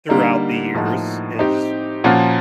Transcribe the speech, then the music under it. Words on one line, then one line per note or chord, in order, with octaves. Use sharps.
throughout the years is
D3 G3 A#3 D#4
A2 F3 A#3 D#4 F#4
C4 D#4 G4
A#2 F3 A#3 C#4 F#4